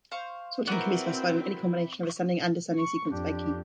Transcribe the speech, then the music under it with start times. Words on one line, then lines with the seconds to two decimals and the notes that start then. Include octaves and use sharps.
Sorting can be specified on any combination of ascending and descending sequence by key.
0.11 C5 F5 C#6
0.67 C4 E4 F#4 A#4 B4 D5
2.75 C#6
3.11 F2 D4 G4